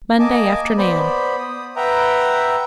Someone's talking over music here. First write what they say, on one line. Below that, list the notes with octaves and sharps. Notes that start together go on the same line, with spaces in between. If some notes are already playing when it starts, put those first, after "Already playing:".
Monday afternoon.
A#3 D#5 G#5 A5 D6
B3 C5 D5 B5
D#6
B4 E5 F#5 G5 A#5